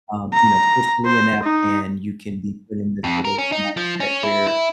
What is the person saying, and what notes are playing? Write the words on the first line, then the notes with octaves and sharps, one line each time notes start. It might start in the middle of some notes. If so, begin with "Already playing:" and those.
um, you know, socially inept, and you can be put in this sort of mindset where,
A#5
C5
D#4
F2
A#4
C#4
D#4
F3
C#4
E4
E4